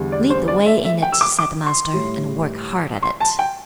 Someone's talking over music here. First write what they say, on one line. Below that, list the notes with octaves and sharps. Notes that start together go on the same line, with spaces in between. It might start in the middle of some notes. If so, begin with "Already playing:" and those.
"Lead the way in it," said the Master, "and work hard at it."
Already playing: E2 D3 G3
D5
C5
D5
E5
E5
G5
E6
D6
D6
C6
A2 G3
C6
A5
G5